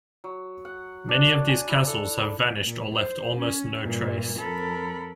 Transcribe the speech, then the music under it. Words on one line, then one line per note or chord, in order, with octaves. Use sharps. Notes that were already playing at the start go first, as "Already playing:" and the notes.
Many of these castles have vanished or left almost no trace.
F#3
F#5
D4
G#5
E4
A4
B5
A#2
C5
C#4
G2 A#2 E3
F2 A4 A#4 B5